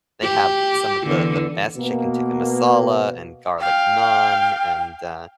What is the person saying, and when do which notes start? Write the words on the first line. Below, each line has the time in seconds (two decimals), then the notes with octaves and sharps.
they have some of the the best chicken tikka masala and garlic naan, and, uh,
0.23 G4
1.06 E2 D3
1.77 B2 A#3
3.60 F5 G5